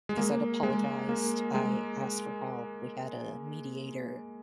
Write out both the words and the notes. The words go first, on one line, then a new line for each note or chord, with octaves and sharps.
Because I'd apologized, I asked for help, we had a mediator.
G#3
A#3
G#3
A#3
G#3